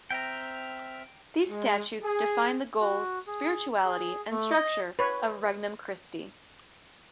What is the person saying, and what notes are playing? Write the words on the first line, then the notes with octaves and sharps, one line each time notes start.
These statutes define the goals, spirituality, and structure of Regnum Christi.
C4 E5 G5 A#5 F6
G#3
G#4
F#4
G#4
G#4
A3
D#5
B4 C#5